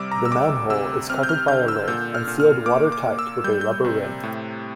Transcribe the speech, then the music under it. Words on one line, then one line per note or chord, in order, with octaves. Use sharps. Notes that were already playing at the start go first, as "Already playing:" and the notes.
The manhole is covered by a lid and sealed watertight with a rubber ring.
Already playing: C3 G3 D6 E6 F6
A#5
E6
D2 D6
C3 E6
C4 F6
G6
F6
D3 G6
E6
A#2 G6
F6
A#2
F6
A#3 D6
D6
A#3
E6
G3 G6
G6
C3
A2